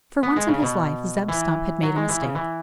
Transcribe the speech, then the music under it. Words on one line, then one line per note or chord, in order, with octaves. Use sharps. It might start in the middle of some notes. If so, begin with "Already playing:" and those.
For once in his life, Zeb Stump had made a mistake.
B3
G#3
C#3
B2
E3
F#3
G#3
E3
C#3
E3